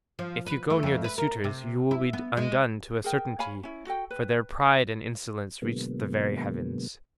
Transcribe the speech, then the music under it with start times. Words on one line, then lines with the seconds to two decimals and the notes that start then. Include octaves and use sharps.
If you go near the suitors you will be undone to a certainty, for their pride and insolence reach the very heavens.
0.19 F3
0.46 B4
0.70 A3
0.83 F2
1.04 B4
1.18 A#4
1.44 C3
1.91 E4
2.13 B3
2.37 G#3
3.04 G#4 A#4 G5
3.39 C#5 F5 G#5 B5
3.63 C#4 E4
3.87 F#4 A4 G5
4.11 B4
5.62 B2 D3 F#3 G#3 A#3 B3